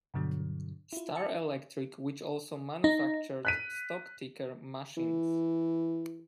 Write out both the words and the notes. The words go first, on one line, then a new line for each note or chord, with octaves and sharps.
Star Electric, which also manufactured stock ticker machines.
G2 B2 D3 F#3
E4 F4
A5 C#7
D#4
F#6 B6 D#7
E3